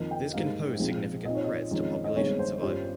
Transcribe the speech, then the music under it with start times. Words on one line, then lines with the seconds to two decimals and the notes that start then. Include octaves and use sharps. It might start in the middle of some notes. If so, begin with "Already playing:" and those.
This can pose significant threats to population survival.
Already playing: F2 D#3 A#3 F4 D#5
0.11 G5
0.34 G#2 G3 A#3 D#4 F5
0.79 A#1 A#2 F3 G#3 C4
1.25 A#2 F3 C4 D#4 D#5
1.35 C#5
1.44 D#5
1.71 F2 D#3 G#3 C#4 F4
2.04 D#5
2.16 G1 G2 D#3 G#3 C4 C#5
2.39 C5
2.61 G2 G3 C#4 F4